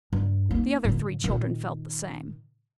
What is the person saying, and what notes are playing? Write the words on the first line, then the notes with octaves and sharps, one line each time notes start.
The other three children felt the same.
G2
A#3 D#4
A2 D3
A#2 D#3